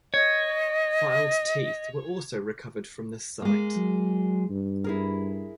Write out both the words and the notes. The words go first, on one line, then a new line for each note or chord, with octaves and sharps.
Filed teeth were also recovered from this site.
C#5 D#5
G#3 A#3
F#3
G2
E4 G#4 A#4